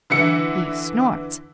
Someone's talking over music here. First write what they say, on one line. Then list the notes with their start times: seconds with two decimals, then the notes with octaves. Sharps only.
He snorts.
0.10 D3 E3 E4 C#7